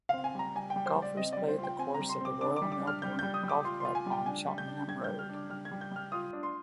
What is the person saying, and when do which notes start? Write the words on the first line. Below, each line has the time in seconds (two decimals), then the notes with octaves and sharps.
Golfers play at the course of the Royal Melbourne Golf Club on Cheltenham Road.
0.09 C4 F5
0.24 G#5
0.35 G3 A#5
0.55 G3 G#5
0.70 G5
0.76 G3
0.86 C5
0.96 G3
1.02 D5
1.17 C4 D#5
1.32 G3 D5
1.48 C5
1.58 F4 G5
1.78 C4 G#5
1.94 A#5
2.00 G3
2.09 C6
2.21 C4 D6
2.41 D4 D6
2.56 D6
2.62 G3
2.72 D6
2.81 D4
2.87 F6
3.02 G3 G6
3.19 G3 G6
3.34 D#6
3.43 G3
3.49 D6
3.64 F4 C6
3.80 F4 C6
3.95 G#5
4.06 G3
4.12 G5
4.26 D4 G#5
4.46 G3
4.58 G6
4.68 D4
4.88 G3 G#6
5.04 G3 G6
5.19 F6
5.29 D4
5.35 D6
5.50 G3 F6
5.65 G#6
5.71 G3
5.81 G6
5.92 G3 F6
6.12 F4 D#6
6.33 D4
6.43 C6